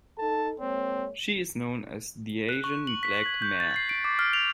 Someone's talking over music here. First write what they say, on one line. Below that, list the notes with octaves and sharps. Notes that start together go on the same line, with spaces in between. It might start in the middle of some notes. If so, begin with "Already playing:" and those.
She is known as the Asian Black Mare.
D#4 A4 A5
G#3 A#3 C4 C#5
F#6
C#6
F#7
B6
G#6
G6
A6
C7
D7
D6
F6
F7